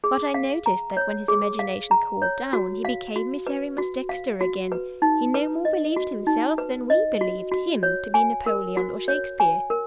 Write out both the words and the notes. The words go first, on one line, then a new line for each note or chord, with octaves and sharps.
But I noticed that when his imagination cooled down he became Miserrimus Dexter again--he no more believed himself than we believed him to be Napoleon or Shakespeare.
G#4
F5
A#5
C#5
G#4
F5
A#5
C#5
F#4
F5
F#4
B4
F#4
F5
F#4
B4
D#4
B4
D#5
F#4
D#4
B4
D#5
F#4
F#4
C#5
G#5
A#4
F#4
C#5
G#5
A#4